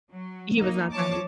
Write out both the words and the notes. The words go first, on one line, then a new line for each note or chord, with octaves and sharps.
He was not them.
F#3
F#3 A#3 D#4
F3 C#5 A5 D6